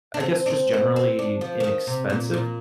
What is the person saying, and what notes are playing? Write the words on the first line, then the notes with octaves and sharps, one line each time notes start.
I guess, just generally inexpensive
D4
C4
D4
C4
C4
C4
D4
F3
F3
D#3
C3
A#2
A#2